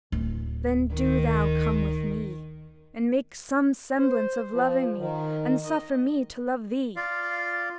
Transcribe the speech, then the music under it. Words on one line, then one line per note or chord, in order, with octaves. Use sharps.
Then do thou come with me, and make some semblance of loving me, and suffer me to love thee.
D1
D#3
C5
F3
D#3
D#5
F4 D5 F5